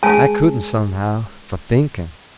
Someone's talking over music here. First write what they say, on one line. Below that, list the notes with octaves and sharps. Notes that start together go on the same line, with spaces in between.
I couldn't, somehow, for thinking.
G#3 G#4 C#5 G#5 A5